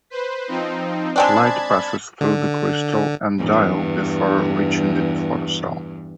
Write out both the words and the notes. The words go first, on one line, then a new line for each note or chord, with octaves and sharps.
Light passes through the crystal and dial before reaching the photocell.
B4 C5
F3 C4 D#4
G#3 C4 D4 A5 B5 G#6
D3
E2 G2